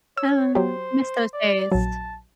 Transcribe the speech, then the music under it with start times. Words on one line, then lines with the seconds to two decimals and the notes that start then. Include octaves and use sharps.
Um, miss those days.
0.17 C#5 E6
0.55 F#3 G4 C5
1.34 D5
1.72 A#1 F#3 A5